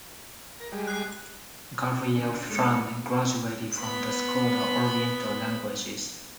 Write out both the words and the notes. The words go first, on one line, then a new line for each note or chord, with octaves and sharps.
Gabriel Ferrand graduated from the School of Oriental Languages.
A#4
G3 G#3
F#6 C7
D3 C#4
D#2 G#3 A#3 D#4 A4 C#5
B3 B5